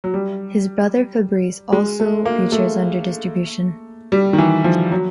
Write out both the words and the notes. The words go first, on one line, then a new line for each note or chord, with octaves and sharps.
His brother Fabrice also features under distribution.
F#3
G3
G#3
A3
A#3
A3
G3
D#3
E3
F3
F#3